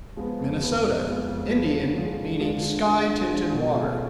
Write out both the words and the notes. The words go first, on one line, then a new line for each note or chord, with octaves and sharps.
Minnesota--Indian; meaning "sky-tinted water."
F3 G#3 B3
F2
F3 G#3 B3
F2
F3 G#3 B3
F2
F3 G#3 B3
D3
G#3 D4 F4 G#4
D3
G#3 D4 F4 G#4
D3
G#3 D4 F4 G#4
D3
G#3 D4 F4 G#4
B2
A3 C#4 F4 G#4